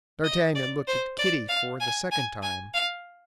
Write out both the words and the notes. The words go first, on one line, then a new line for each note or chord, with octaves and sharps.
D'Artagnan looked at Kitty for the second time.
D#5
D5
C5
D5
F5
G#5
G#5
G#5
F5